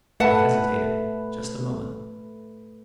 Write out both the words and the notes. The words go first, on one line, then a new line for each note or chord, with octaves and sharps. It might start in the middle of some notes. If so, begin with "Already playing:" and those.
He hesitated just a moment.
A3 B4 E5 F#5 A5